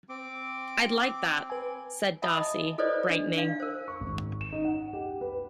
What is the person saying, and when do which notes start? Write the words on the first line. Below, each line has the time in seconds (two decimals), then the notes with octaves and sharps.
"I'd like that," said Darcie, brightening.
0.09 C4 D6
1.50 B4 G#5
2.22 E5 G#5 A5 B5 D#6
2.37 D#5
2.78 F4 A4 B4 C5 D5 D#5
3.10 D4
3.37 D4 F5 G#5
3.60 A#4 C5
3.88 C#6
4.00 G#1
4.41 E7
4.52 D#4
4.65 F#5
4.93 G4
5.21 B4